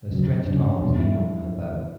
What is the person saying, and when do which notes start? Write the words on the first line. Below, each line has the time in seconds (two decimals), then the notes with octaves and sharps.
Her stretched arms lean on her bow.
0.11 F#2 C#3 F#3
0.45 F#2 C#3 F#3 D4
0.57 C#4
0.63 D4
0.72 C#4
0.81 E2 B2 G3 B3 D4
0.99 E4